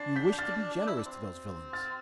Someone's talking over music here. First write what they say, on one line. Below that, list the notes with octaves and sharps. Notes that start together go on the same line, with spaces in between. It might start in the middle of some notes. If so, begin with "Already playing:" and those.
You wish to be generous to those villains!
Already playing: D4 C6 A6 C7
G6 B6
G6
F6 A6
E4
D4
C4
F6 A6